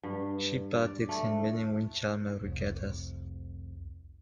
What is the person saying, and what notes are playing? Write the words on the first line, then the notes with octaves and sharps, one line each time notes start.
She partakes in many windjammer regattas.
G2
D5
A3
F1 C2